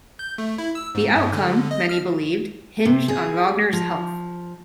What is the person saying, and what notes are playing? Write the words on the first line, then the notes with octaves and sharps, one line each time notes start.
The outcome, many believed, hinged on Wagner's health.
G6
A3
E4
E6
G#2
G2
D3
D#5
F6
C3
G#4
F3